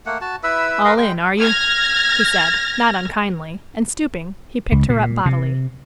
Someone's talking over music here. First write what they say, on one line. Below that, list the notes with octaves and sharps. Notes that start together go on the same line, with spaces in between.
"All in, are you?" he said, not unkindly, and, stooping, he picked her up bodily.
A3 A#3 F#5
F#4 A5
E4 B4 E5 E6
A#4 B4 D#5 F5
G#3 G5
F6 G#6 A#6
C#2
A#2
C3